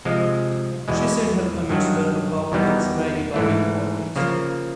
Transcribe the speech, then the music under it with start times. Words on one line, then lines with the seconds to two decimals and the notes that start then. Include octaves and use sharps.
She said her comments were about the Israeli lobby in politics.
0.05 C3 F3 G#3
0.88 E2 B2 G#3
1.70 G2 D#3 F#3
2.52 E2 B2 G3 B3 D#4
3.34 G#2 E3 A3
4.16 C#3 F3 A#3